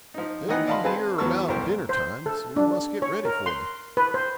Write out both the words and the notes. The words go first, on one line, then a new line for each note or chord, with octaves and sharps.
They'll be here about dinner-time, so we must get ready for them.'
F3 D#4
D#3 E3 D#4 D#5 F#5 G#5
D5 D#5 F5 A5 B5 C6
C4 G#4 B4 A5
E2 F#3 B3 A5 C#6 E6
C2 F2 B2 A#4 C5 C#6
C5
A4
D4
C#5
A#4
C6
B4
C5